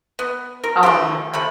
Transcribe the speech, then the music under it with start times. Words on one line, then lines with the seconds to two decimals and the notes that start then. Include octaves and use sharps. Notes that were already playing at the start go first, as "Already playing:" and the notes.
Oh my gosh.
0.19 B3
0.64 A#4
0.83 A3 D4 F4 G4
1.33 C3 A3 B5